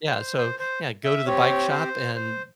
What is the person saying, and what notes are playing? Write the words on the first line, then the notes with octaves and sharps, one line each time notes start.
Yeah, so Yeah, go to the bike shop and
C5
C5
C5
E5
C4 G4 C#5
C5
C5